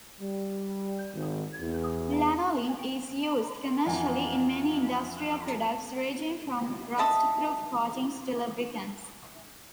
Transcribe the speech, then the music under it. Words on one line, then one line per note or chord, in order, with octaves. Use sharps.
Lanolin is used commercially in many industrial products ranging from rust-proof coatings to lubricants.
G3
G#1
E2
F2 E3 F#5 G#5 A#5
D#5 E5 A5 D#6